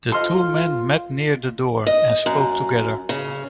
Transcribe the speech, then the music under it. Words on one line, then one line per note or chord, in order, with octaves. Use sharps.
The two men met near the door, and spoke together.
F4 A4 C5 D#5 C6 F6
D#5
F#2
C#3